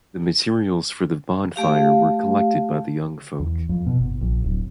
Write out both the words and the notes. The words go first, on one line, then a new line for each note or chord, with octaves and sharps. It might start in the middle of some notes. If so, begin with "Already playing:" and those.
The materials for the bonfire were collected by the young folk.
A3 G4 F5
E2
F2
B2
G1
A#1
D1